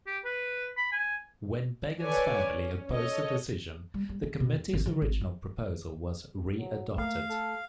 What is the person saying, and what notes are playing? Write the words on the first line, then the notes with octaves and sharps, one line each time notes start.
When Begin's family opposed the decision, the committee's original proposal was readopted.
G4
B4
B5
G#5
A4 B4 C#5 D5 G#5
C#4
A4 C#5 D#5
G3
G3
D#3
B2
E2
G#1
D3
G#1
F4
F#3
A3 A#3 F5
A4